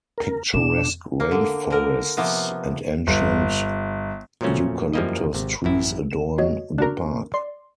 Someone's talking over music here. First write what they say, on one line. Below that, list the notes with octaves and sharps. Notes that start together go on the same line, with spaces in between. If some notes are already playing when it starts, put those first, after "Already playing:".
Picturesque rain forests and ancient eucalyptus trees adorn the park.
A#4
B2 D4 E7
A#3
D3
D3 A#4
C3 F3 A#3 B3
G1
A#2 F3 F#3 A3 C#4 F#4
F#2 F3 G3 A#3 E4 D#5
G#1 C3
A1 F#2 E4
E7
F#4 C#5 D#5
D4 F#4 A#4 F#6
D5 C6